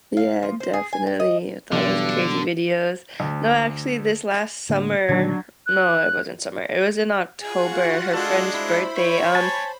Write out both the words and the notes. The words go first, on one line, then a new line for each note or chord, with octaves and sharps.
Yeah, definitely with all those crazy videos. No, actually, this last summer- no it wasn't summer, it was in October- her friend's birthday, um
F5
F3
C5
G#4
G#5
G4
D#5
G2 B2 D3 E3 F#3
D2
A2 D3 A#3
A#2 D3 D#3 F#3 D4 G#6
F#6
F4 F#4 G#4 F#5
G#3 D4 A4
E4 C5 B5
C#5
G#5 A5